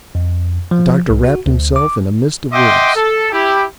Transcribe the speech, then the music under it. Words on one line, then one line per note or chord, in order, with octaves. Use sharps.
The doctor wrapped himself in a mist of words.
F2
F3
C2
F#4
D2
D6
D#5 E5 F#5 G5 C6 D6
A4
E4 G4